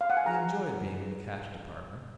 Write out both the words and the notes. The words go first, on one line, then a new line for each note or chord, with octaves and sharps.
He enjoyed being in the Cash Department.
F5
F#5
G#5
D#4 G#4 B4 A#5
D#4 G#4 B4